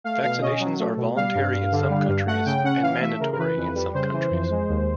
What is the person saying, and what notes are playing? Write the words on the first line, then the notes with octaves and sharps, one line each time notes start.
Vaccinations are voluntary in some countries and mandatory in some countries.
A3 F5
B2 F5
C#4 D#5
F#3
A3
B2
G3 F5
G2
G2
D3
G3
G2
A3 F#5
C#3 G5
C#4 F#5
E3 F5
A3 E5
C#3 A#4
A#4
E3 B4
F2
G3
C#3 C5
E3
F2
G#3
D#2